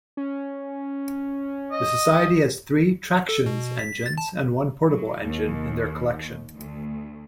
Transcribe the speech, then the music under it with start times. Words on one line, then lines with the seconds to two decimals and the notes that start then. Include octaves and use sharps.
The society has three tractions engines and one portable engine in their collection.
0.17 C#4
1.72 D#5
3.29 A4
3.46 B2
3.79 B6
4.06 A6
4.18 A5
4.87 F#3
5.21 D#2
6.54 D2